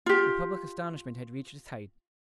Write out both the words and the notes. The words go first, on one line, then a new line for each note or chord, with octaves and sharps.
The public astonishment had reached its height.
F4 G4